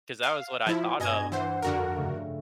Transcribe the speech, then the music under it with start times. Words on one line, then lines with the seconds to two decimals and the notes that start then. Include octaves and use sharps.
'Cause that was what I thought of
0.23 F5
0.67 F3 E4 F4
1.00 G2 B2 D#5 G#5 G#6
1.32 E3 C5 F#5
1.62 F2 D3 F#4 A#4
1.96 G2 C#3 A3